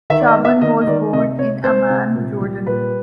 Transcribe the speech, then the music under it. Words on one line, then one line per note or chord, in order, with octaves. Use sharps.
Shaban was born in Amman, Jordan.
D#3 E5
D5
D#5
B3
E5
D#3 D#5
D#5
D#3 D5
C3 D#5
C3 C#5
C3 C5
C3
A#2
G3
A#2 B4